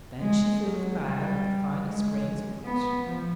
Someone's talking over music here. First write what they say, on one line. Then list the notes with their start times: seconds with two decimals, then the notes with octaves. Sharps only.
Then she filled the bag with the finest grains of wheat.
0.20 G#3
0.61 F#3
1.01 G3
1.83 G#3
2.65 B3
3.04 F3